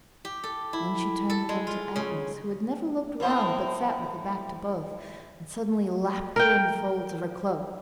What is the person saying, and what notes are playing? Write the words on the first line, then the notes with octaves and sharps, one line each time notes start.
Then she turned again to Agnes, who had never looked round but sat with her back to both, and suddenly lapped her in the folds of her cloak.
G4
A4
E4
A4
G#3
F4
C#3
A2 A#3 C5
A#4 G5